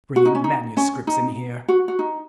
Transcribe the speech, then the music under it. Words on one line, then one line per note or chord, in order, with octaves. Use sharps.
Bringing manuscripts in here!
F#4
D#4
C#4
D#4
C#4
D#4
F#4
F#4
D#4